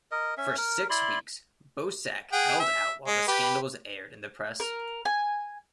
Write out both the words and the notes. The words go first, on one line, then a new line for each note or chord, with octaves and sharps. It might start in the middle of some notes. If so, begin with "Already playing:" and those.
For six weeks Boesak held out while the scandal was aired in the press.
A#4 D#5
C#4 E5
A#4
E4 D5 B5 C6
G#4 F#5 G5
E5
G#3
G4 B4
A#4
G#5